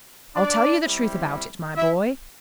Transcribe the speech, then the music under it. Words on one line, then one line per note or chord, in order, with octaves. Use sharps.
I'll tell you the truth about it, my boy.
D4 D5
G3 C4 E4
E4 E5